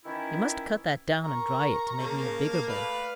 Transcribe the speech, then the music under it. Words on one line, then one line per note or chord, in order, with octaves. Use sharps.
You must cut that down and dry it to make me a bigger bow.
D#3 E3 C#4 E4
A#4 A#5 C#6
C#3 A#3 A5
A3 B4 D5 F5